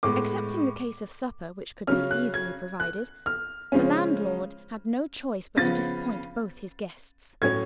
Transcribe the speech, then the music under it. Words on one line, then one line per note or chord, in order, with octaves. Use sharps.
Excepting the case of supper, which could be easily provided, the landlord had no choice but to disappoint both his guests.
A2 G#3 B3 D6
C#3 F#3 C#4 F6
F#6
G#6
F#6
F6
C#3 F3 G#3 C#4
C#3 F3 B3 A6
A2 F#3 C#4 G#6